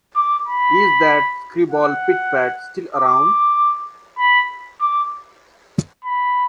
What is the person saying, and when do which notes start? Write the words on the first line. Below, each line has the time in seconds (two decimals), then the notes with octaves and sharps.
Is that screwball Pit-Pat still around?
0.15 D6
0.47 B5
1.71 F#5
2.95 D6
4.18 B5
4.81 D6
6.05 B5